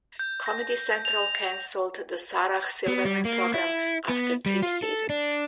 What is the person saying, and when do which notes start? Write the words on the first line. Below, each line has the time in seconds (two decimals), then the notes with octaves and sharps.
Comedy Central canceled "The Sarah Silverman Program" after three seasons.
0.19 G6
0.46 A#6
1.05 F7
2.88 B3
3.05 G3
3.25 A#3
3.54 E4
4.09 B3
4.46 G3
4.62 F4
4.83 A4
5.10 D4